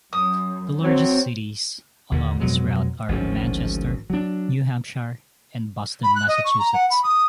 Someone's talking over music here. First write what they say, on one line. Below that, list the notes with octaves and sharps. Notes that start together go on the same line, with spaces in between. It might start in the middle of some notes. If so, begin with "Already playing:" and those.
The largest cities along its route are Manchester, New Hampshire and Boston, Massachusetts.
F#2 D#6
F#3 C4
D#2 D3
F2 B2 F#3 G#3
G#1 D2 F3 C#4
F#3 D4
B5
F#6
D#5
C#6
A#5
F#5
B5
D#6